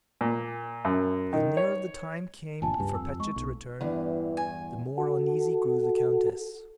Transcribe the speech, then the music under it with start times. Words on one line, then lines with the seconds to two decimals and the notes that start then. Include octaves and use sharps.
The nearer the time came for Petya to return, the more uneasy grew the countess.
0.21 A#2
0.85 F#2
1.33 D#3
1.57 C#5
2.62 G1 A#2 D4 G#5 A5
2.78 C#2 G2
2.95 F2 E6
3.20 G#3 C#6
3.36 B1
3.81 E2 G2 E3
4.37 G#5
4.98 F#4 A4